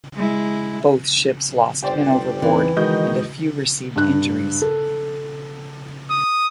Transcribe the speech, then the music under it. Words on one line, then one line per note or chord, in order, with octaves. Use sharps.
Both ships lost men overboard, and a few received injuries.
G#3 E4
G1 G4 C5 D5
E2 E3 C4 D#4
D#3 G#3 F#4 D#5 C#6 G6
G2 F#6
A4
D#6